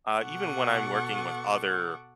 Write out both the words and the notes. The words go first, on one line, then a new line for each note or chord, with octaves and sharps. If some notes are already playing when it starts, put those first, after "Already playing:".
uh, even when I'm working with other,
B2 A4 F#5 C#6 D6